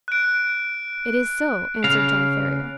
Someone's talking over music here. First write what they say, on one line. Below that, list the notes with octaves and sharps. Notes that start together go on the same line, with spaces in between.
"It is so," answered John Ferrier.
F#6 D7
C#3 F5